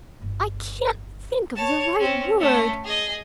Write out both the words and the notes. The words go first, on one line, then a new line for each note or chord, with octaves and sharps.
I can't think of the right word.
G1
C#5 A5
C4 C#4
A3 C#4
G#4 D#5